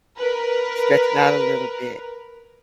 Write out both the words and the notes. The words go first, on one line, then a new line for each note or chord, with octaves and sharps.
Stretch it out a little bit.
A#4 B4